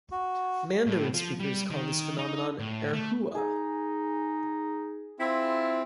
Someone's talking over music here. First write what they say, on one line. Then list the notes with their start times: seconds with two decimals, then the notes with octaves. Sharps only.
Mandarin speakers call this phenomenon "erhua".
0.11 F#4
0.86 A2
1.14 F3
1.40 G3
1.71 D#3
2.18 D#4
2.59 A2
2.93 A3
3.35 D#4 G#4
5.19 C4 E4 F4